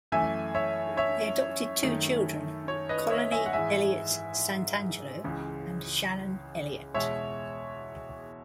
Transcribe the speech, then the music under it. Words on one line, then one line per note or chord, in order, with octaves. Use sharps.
They adopted two children, Colony Elliott Santangelo and Shannon Elliott.
F#2 E3 A3 E5 G#5
C#5 E5
C#5 E5
F#2 D#3 A3
C#5
B4 D#5
C#5 E5
E5 G#5
F#5
G#2 E3 G#3 E5 G#5
C#2 C#3 E3
E2 B2 G#3 C#5 E5